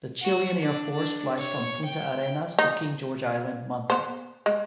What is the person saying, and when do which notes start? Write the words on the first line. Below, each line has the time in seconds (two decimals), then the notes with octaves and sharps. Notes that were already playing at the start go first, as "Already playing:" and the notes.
The Chilean Air Force flies from Punta Arenas to King George Island monthly.
0.22 F#4
0.61 D4
0.94 D4
1.38 C#5
1.85 G5
2.59 D#4
3.90 B3 C5
4.46 G#3